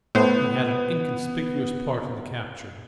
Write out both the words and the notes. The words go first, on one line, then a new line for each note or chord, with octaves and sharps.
He had an inconspicuous part in the capture.
A2 B3 C5